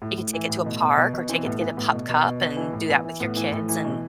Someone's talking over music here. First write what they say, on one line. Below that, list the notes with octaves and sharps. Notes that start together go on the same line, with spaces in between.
you could take it to a park or take it to get a pup cup, and do that with your kids, and,
A2
A2
E3
A2
B2 B3
B2
B2
B2
E3 C4
A2 B3
E3 B3
A2 B3
B2
B2
B2
B2
E3
A2
E3 B3
E3
A2 B3
E3
A2
E3
B2